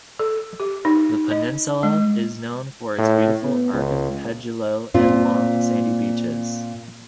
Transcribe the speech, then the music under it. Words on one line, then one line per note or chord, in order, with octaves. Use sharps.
The peninsula is known for its beautiful archipelago and long sandy beaches.
A4
G4
D#4
D#5
G#3
A2
B3
C#2
A#2 C4 F4